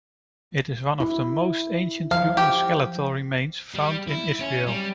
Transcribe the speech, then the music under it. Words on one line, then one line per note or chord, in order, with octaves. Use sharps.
It is one of the most ancient human skeletal remains found in Israel.
E4
F3 F5
G4
G3
E4
C#4
G3